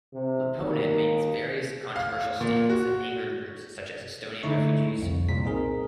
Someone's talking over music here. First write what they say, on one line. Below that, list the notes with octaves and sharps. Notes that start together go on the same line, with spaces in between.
Lipponen made various controversial statements that angered groups such as Estonian refugees.
C3
D#2
F5
A#2
F#4
D3 A3 D#4 E4 C#6
C2 F2
C2 A#2 B6
C4 D#4 G#4 A#4